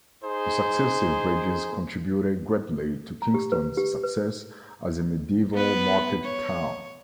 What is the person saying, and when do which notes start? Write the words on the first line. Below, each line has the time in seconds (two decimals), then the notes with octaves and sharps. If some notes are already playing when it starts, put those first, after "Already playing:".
The successive bridges contributed greatly to Kingston's success as a medieval market town.
0.24 D#4 G#4 C5
3.22 A#5
3.34 G4
3.52 B4
3.77 G4
4.04 B4
5.53 B3 B4
6.23 C#5